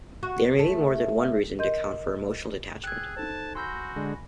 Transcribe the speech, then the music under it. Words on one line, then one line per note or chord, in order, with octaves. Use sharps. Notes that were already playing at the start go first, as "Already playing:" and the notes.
There may be more than one reason to account for emotional detachment.
F#4
A3
A#4 D#5 C6 G6
G#4 G5 E6 F#6 G#6
D#4 A4 C5 A5
F#4 G#5 B5 C6 E6 G6 A#6
D3 G#3